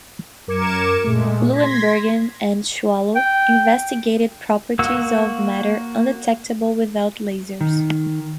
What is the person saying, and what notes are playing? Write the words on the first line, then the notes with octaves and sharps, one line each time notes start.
Bloembergen and Schawlow investigated properties of matter undetectable without lasers.
F#2 A#4 D6 G#6 C#7 E7
A#2 G#3 A3
C6 G#6 A#6 B6
G5
A#3 F#4 E6
D#3